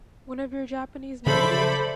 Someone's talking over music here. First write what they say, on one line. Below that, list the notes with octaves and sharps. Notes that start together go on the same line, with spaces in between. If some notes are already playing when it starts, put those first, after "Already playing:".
One of your Japanese melodies?
C#3 F3 F#3 A4 C5 D5 E5 B5